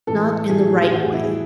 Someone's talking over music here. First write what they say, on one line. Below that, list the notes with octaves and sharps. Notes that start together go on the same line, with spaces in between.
'Not in the right way.
A2 E3 A4
A2 E3 G#4
G#4
G#4
G#4
A2 E3 F#4
G#4
E4
G#4